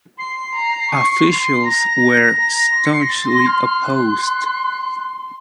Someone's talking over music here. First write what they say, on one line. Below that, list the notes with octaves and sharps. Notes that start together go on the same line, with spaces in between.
Officials were staunchly opposed.
C6 C7
A#5
C#6
C6
A#5 A#6
A#5
C6
C#7
C7
A#6
C6 A6
A#6
F6
F6
C6 F#6